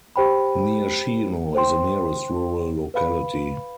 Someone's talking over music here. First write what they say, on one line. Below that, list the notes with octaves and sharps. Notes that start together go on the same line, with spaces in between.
Nyashino is the nearest rural locality.
G4 C5 G5 B5
C5 G5 C6
B4 F5 B5